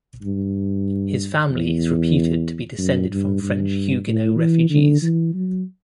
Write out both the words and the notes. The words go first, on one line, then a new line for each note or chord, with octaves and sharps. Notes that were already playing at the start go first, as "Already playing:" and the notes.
His family is reputed to be descended from French Huguenot refugees.
G2
E2
F#2
G2
G2
A2
E3
D3
E3
F#3